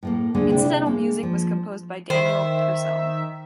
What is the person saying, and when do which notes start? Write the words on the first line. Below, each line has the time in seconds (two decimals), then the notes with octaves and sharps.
Incidental music was composed by Daniel Purcell.
0.03 A2 A3 A#3
0.34 D2 D3 G#3 A#3
0.50 C3 D4 E4
0.86 G#3 A#3
1.23 F3
2.10 D#3 C5 E5